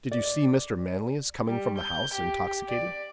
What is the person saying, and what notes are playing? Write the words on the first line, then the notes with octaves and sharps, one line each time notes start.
"Did you see Mr. Manlius coming from the house intoxicated?"
D5
G3
G6
G4
D5